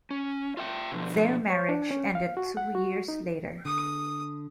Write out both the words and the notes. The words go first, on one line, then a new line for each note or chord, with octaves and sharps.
Their marriage ended two years later.
C#4
F4 E5 G5
B2 D3 F3
C#5
D4
C#4
F5
F#4
F#5
F#4
D#4
D3 D#6